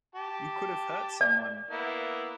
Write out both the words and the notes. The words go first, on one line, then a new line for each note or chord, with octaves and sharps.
You could have hurt someone!
G4 A5
D5
A#3 B3 E4